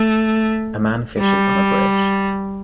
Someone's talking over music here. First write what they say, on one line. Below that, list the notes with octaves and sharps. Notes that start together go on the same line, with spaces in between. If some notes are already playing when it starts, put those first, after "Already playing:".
A man fishes on a bridge.
Already playing: A3
G3